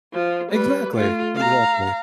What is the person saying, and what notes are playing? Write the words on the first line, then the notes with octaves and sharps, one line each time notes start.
Exactly. Exactly.
F3 F4
G3 B4
A3 F4
F5 A#5